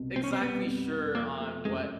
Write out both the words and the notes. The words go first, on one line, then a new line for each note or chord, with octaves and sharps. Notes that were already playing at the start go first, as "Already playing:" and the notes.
exactly sure on what
Already playing: C2 B2
B2 C4
C#4
C4
G3 B3
F2
F2
F3 A#3
A3
F#2 G#3